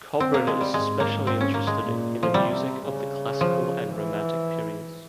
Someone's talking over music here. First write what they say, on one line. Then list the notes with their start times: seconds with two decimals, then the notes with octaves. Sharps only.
Kobrin is especially interested in the music of the classical and romantic periods.
0.20 C4
0.34 A#3
0.47 G#3
0.61 G3
0.74 G#2 G#3
1.00 A#3
1.27 C4
1.41 C#4
1.54 A#3
1.67 G#3
1.81 A#2
2.23 F3
2.34 C3 G3
2.87 C#3
3.41 F3
3.95 E3